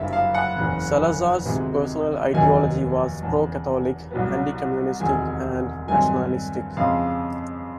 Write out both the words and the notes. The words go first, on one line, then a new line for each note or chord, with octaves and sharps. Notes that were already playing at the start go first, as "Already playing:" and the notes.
Salazar's personal ideology was pro-Catholic, anti-communist and nationalistic.
Already playing: F#1 F#2 D3 G3 B3 E5 F5
F5
F#5
F#1 E2 C#3
D2 C3 D#3 G#3 B3
F1 D#2 D#3 F#3 G#5
E1 E2 C#3 A5
C2 B2 F#3 B3
E1 D2 C3 D#3 G#3 G#5
G2 D#3 F#3 A3 C4 G#5
F2 C#3 F3 G#3 C4 F5